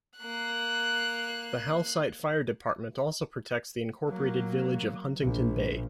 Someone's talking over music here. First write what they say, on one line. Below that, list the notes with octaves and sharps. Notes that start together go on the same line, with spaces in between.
The Halesite Fire Department also protects the incorporated village of Huntington Bay.
A#3 F#6
F#3 A#3
A#1